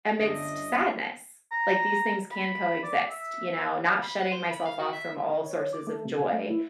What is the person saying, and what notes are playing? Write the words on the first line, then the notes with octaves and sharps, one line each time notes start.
amidst sadness. Like, these things can coexist, you know? Not shutting myself off from all sources of joy,
G1 C#4 D4 D#5 E5
A#5
B5
D5
E5
B5
F#5
C5
B5
F5
F#4
E5
C#5
D6
A3
C3
G#5
A3
E4